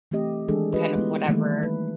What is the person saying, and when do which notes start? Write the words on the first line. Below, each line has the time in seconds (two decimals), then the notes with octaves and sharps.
kind of whatever
0.11 E3 A3 C4 G4 D#5
0.48 D#3 E3 G#3 D4 G#4 A4
0.74 F4 G4 B4 D#5
0.95 G#3 A3 B3 E4
1.28 D#3 E3 G3 A3 A#3 D#4
1.63 B4